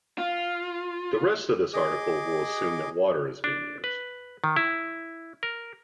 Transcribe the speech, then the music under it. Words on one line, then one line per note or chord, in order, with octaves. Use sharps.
The rest of this article will assume that water is being used.
F4
G#4 D#5 D6
D4
B4
D#3
E4
A#4